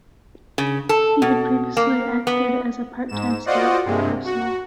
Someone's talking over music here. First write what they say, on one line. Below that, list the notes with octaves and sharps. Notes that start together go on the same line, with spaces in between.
He had previously acted as a part-time scout for Arsenal.
C#3
A4
B2
A#3
B3
G#2 E7
F4 F#4 C5 D5 D#5 F#5
G2 C3 G#3
F#4